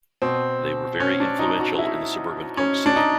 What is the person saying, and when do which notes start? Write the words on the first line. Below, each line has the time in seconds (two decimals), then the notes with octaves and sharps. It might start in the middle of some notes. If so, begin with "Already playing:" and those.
They were very influential in the suburban punk scene.
0.22 B2 C4
1.00 C#4
1.20 D4
1.39 D#4
1.60 F#4
1.78 E4
2.57 C#4
2.86 D4
2.96 D#4